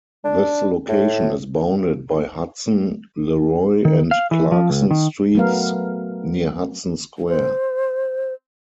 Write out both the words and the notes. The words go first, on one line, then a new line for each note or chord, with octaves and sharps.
This location is bounded by Hudson, Leroy and Clarkson Streets near Hudson Square.
D4
A2
D#3
F5
E3
F3
C#2
D#3
F#3 A3 B3 A#4 F5
C5